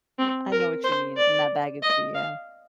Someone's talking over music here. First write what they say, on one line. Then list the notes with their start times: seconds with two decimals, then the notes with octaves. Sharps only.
Well, I know what you mean, in that bag of tea, yeah.
0.18 C4
0.52 A#4
0.84 C5
1.17 D5
1.82 D#5
2.14 F5